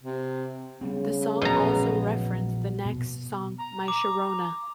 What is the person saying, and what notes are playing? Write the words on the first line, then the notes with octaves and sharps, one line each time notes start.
The song also referenced The Knack's song "My Sharona".
C3
C#3 G3 B3 C4
A#1 B2 F#3 G#3 A#5
B2
A#5
D6